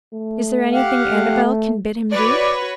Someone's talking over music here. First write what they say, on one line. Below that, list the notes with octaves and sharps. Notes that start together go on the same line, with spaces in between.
"Is there anything Annabel can bid him do?"
A3
G4 F5 F#5
A3
F#4 B4 C#5 D5